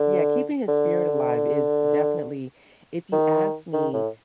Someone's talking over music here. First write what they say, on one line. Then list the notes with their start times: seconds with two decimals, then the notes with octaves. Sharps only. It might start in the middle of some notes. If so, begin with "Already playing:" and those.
Yeah, keeping his spirit alive is definitely If you ask me,
Already playing: D3
0.68 D3
3.12 D#3
3.73 D#3
3.93 A2